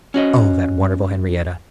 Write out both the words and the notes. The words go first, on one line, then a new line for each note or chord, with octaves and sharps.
Oh, that wonderful Henriette!
C#4 F#4 D#5